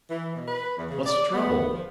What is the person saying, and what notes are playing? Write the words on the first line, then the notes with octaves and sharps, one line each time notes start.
"What's the trouble?"
E3
B2
B4
E2
C#3
D5
B3
F3